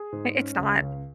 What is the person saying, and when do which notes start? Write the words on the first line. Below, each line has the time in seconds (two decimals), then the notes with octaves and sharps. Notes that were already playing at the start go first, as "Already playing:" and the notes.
I it's not.
Already playing: G#4
0.12 G#2
0.35 C#4
0.57 C#2
0.80 C#2